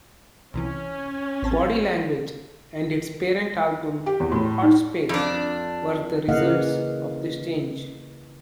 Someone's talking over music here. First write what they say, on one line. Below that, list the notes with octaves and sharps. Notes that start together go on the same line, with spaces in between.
"Body Language" and its parent album "Hot Space" were the results of this change.
C2 C3 E3 C#4
A1 C4 A5
G4
E2
A2 F#4 C#5 B5
D#4
F2 D4
C#3 E3 A#3 D#5 F5 F#5